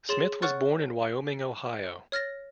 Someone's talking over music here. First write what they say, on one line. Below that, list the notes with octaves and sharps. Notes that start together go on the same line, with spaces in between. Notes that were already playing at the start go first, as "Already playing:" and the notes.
Smith was born in Wyoming, Ohio.
G#4 C#5 C6 A6 E7
C#5 F#5 C#6 F6 F#6 A6
C#5 F6 A6 A#6